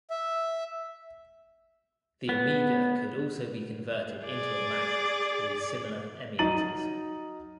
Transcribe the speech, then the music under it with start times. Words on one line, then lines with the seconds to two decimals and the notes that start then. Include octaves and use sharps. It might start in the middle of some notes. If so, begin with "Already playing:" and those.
The Amiga could also be converted into a Mac with similar emulators.
0.10 E5
2.29 B3
4.25 G#4 D5
6.39 F#3 D#4 A#5 A6 D#7 F#7